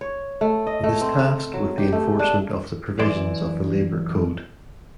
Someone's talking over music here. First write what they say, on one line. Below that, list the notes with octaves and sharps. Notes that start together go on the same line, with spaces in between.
It is tasked with the enforcement of the provisions of the Labor Code.
C#5
A3
D#5
A3
C4
F#3
G4
A3
D4
F#2 E3 D5 C6